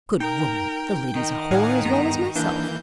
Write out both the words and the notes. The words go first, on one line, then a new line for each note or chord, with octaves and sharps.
Good woman!--the lady's a whore as well as myself!
D#4 A#4 G5
D#3
A2 F5 F#5 G#5
G2 B3 A#5
E3 A#3 D4 G6